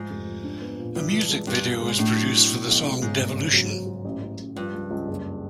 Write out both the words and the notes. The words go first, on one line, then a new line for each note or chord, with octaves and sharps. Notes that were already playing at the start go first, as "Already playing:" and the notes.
A music video was produced for the song Devilution.
Already playing: G#2 F3
F1
F3
D4
B3
A#2
G2 E3
E3
G#3
C2 G2
B2
G#3
G#2
A2 D4
F#3
F#3
B2
B1
G#3
G#2 C#3
G1
C#3
F#3
F#3
F#3
A1
A1
A1
G2 F3
C#2
C#2
F#1